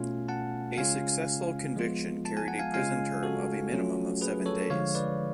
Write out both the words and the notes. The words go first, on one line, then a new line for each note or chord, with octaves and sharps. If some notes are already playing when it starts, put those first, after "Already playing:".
A successful conviction carried a prison term of a minimum of seven days.
Already playing: B2 A3 C#4 F4 F5 G#5
F#5 A5
C#3 G#3 C#4 F4 F5 G#5
F3 G#3 B3 F4
A5
G#5
F#5
F5 G#5
C#3 G#3 C#4 F4 F5 G#5
F#4 A4
F#3 A3 C#4 F4
G#4 B4
A4 C#5
D3 F3 G#3 C#5 F5
B4 D5